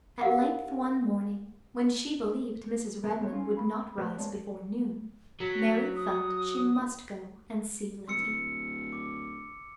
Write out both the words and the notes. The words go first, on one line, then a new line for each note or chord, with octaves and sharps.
At length one morning, when she believed Mrs. Redmain would not rise before noon, Mary felt she must go and see Letty.
G4 A#4 F5 F#5
A#3 B3 A4
B3 C4 G4 A4 C#5
C#4 D#4 F4 A4
B5
A3 G4 B4 C5
G#3 A#3 C4 A4 C#5 D5
F#3 B6
D#6
D1 C6 E6 C#7
D6